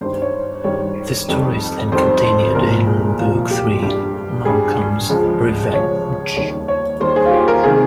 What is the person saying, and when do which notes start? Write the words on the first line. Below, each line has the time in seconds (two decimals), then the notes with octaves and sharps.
The story is then continued in Book Three: Malcolm's Revenge.
0.01 G2 D#3 G3 C5
0.22 C#5
0.64 G2 D#3 G3 C#5
1.28 F2 D#3 G3
1.92 F2 D#3 G3 C5
2.23 C5
2.55 C2 A#2 F3 A#4
2.87 G#4
3.19 C2 A#2 F3 F4
3.51 G4
3.82 G2 G3 G4
4.45 G2 G3 G#4
5.09 C#2 C#3 F3 G#3
5.73 C#2 C#3 F3 G#3 C#5
6.37 D#2 D#3 G3 C#5
6.68 C#5
7.00 D#2 D#3 G3 C5
7.16 G#4
7.26 F4
7.32 G4
7.48 A#4
7.64 C3 D#3 G#3 G#4